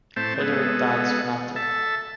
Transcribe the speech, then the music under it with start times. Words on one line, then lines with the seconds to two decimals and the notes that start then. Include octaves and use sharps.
Frederick died soon after.
0.16 A2 A3 C4 C5 E5 A5
0.40 G#3 B3 A4
1.56 A4 E5 A5